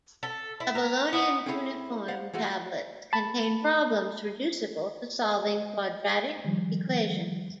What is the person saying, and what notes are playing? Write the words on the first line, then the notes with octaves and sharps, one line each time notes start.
Babylonian cuneiform tablets contain problems reducible to solving quadratic equations.
A4
E4
A#4
B3
C4 C#4 E4 G#4 A4 C#5
C5 F5 F#5
E3 G#3 A3 F#4
A5 B5
D#5
D#3 F3 G3